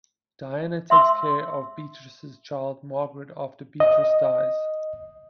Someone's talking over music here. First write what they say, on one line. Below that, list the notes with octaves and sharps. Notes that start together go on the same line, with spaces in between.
Diana takes care of Beatrice's child Margaret after Beatrice dies.
E5 C6 E6
D#5